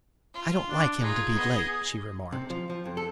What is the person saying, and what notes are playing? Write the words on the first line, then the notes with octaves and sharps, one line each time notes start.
"I don't like him to be late," she remarked.
F4
D4
D#4 F4 G#4
B3 D#5
C3
F3
F3
F2
A4